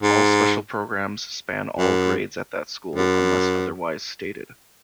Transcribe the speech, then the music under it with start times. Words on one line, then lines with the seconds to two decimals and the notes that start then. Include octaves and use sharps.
All special programs span all grades at that school unless otherwise stated.
0.03 G#2
1.79 F#2
2.96 F#2